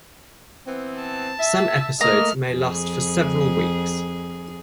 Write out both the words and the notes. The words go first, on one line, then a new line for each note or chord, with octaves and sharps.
Some episodes may last for several weeks.
E3 B3 C4
A5
E5
A3 A#3 D#5 A#5 F6
F2 G#4